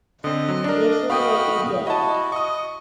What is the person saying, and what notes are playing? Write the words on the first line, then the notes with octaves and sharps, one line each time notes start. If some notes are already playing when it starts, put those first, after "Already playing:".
This Is What You Get.
D3 C4 D#5
F#3
D4 A#4
F#4 D#5 F5 G5 B5 D#6
E4 F#4 D#5 A5
D#5 C#6 D#6